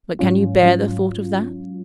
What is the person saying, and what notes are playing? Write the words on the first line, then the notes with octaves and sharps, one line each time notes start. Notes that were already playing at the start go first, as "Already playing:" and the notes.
But can you bear the thought of that?'
G#2 F#3 C#4 F4
G#2 F#3 C#4 F4